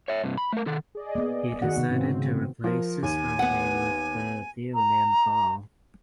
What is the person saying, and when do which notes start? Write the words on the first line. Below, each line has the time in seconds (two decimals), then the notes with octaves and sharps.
He decided to replace his birth name with the theonym Baal.
0.08 C#5 E5
0.24 G2 C3
0.37 B5
0.53 A3 A#4
0.67 D#3 A4
0.95 G#4 D5 D#5
1.15 A#3 B3
1.62 D#3 F#4 F#5
1.77 C3 B3
1.90 G#2 C#3 C4
2.64 F3 A#4
3.03 D#2 G#5
3.39 B3 F#5
4.75 A#5